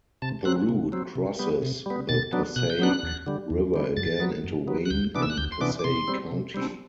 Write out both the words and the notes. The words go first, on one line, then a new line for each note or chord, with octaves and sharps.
The route crosses the Passaic River again into Wayne in Passaic County.
C3 A5
F#3 C4 F#6
C3
F#3 C4
C3
G3 B3
C3
G3 B3
B2 A6
F#3 B3 D4
B2 F#6
G6
F#3 B3 D4 F#6
E2
D3 G3
E2
D3 G3
F#2 A6
F#3 B3
F#2
F#3 B3
F#6
D2 G6
C3 E3 B3 D4 D6
E6
F#6
D2 G6
C6
C3 E3 B3 D4 D6
D6
C3 C6
G3 C4
C3
G3 C4